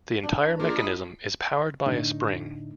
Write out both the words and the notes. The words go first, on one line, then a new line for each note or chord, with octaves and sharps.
The entire mechanism is powered by a spring.
D4
B4
F3 A#3 D4 G#4
E4 D#5 B5
A2 D3 A3 D4 D#4